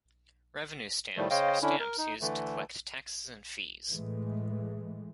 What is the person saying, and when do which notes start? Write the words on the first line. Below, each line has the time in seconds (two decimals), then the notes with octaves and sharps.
Revenue stamps are stamps used to collect taxes and fees.
1.17 A2 D#3 F3 G3 A3
1.30 C#3 C5 C#5 D#5 F5 G5
1.62 D3 C#4 D4 E4
1.80 A#4
1.98 D#4
2.21 D3 E3 A3
3.90 A2 E3 G#3 A3